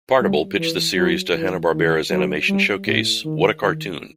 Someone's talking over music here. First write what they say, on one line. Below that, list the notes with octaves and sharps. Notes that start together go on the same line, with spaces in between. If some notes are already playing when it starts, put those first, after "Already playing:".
Partible pitched the series to Hanna-Barbera's animation showcase What a Cartoon!
G3
E3
F#3
E3
D#3
F#3
G3
A2
D#3
D#3